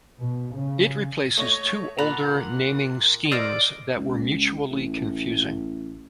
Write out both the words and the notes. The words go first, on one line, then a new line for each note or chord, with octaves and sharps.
It replaces two older naming schemes that were mutually confusing.
B2
C#3
A3 C#5 D#5 A#6
A#2 A4 F#5 A#5 B5
A#4 C5 D5 D#5 E6 F6 A6
C#2
A1